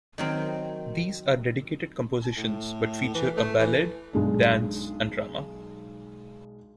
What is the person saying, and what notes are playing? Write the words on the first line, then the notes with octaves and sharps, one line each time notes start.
These are dedicated compositions but feature a ballad, dance and drama.
D#3 F#3 C4
A2
E3
A3
E3
B1 G#3 D4